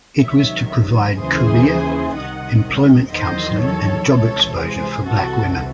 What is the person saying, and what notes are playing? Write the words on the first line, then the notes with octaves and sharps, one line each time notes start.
It was to provide career, employment counseling, and job exposure for black women.
C#2 C3 D#3 F#3 C#5 E5
D#2 C#3 E3 G#4 C5
C2 C3 D#3 D#5 F#5
E2 D#3 F#3 C5 D#5
A4 C#5
C#2 C3 E3 A4 C#5
G#4 C5
C2 C3 E3 F#4 A4